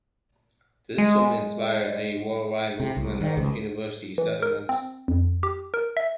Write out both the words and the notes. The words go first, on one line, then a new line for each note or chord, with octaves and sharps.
This soon inspired a worldwide movement of university settlements.
G#3
C3
C2
D#3
C#2
E3
A#4
C4
F2
G4
A#4
E5